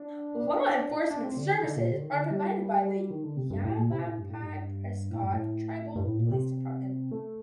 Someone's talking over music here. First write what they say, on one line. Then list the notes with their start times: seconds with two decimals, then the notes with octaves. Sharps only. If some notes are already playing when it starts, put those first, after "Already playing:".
Law enforcement services are provided by the Yavapai-Prescott Tribal Police Department.
Already playing: D4
0.70 D4
1.10 D4
1.23 C4
1.37 D3
1.50 D#3
1.63 D3
1.77 A#2
1.91 D3
2.00 D#3
2.11 D3
2.31 G3
3.10 D#3
3.24 D3
3.37 C3
3.50 G2
3.64 A2
3.77 A#2
3.91 C3
4.04 A2
4.17 G2
4.29 A2
4.41 G2
5.11 A2
5.22 G2
5.33 A2
5.96 G2
6.05 A2
6.17 A#2
6.31 C3
7.12 A3